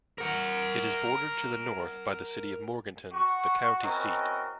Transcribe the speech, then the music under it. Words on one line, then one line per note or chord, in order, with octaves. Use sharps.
It is bordered to the north by the city of Morganton, the county seat.
A#4 F#5
F#4 C#6
C4 C#4 E4 F#4 A#4 D#5